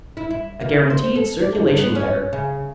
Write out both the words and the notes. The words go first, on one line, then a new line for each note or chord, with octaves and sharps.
A guaranteed circulation-getter.
E4
E4
A#3
C5
A4
D5
G2
B3
C#4
C#3